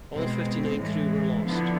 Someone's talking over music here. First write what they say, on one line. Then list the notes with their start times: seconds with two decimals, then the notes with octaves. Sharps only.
All fifty-nine crew were lost.
0.13 B2 G#3 C4
0.79 A2 E3 G#3
1.44 D3 F3 B3 E4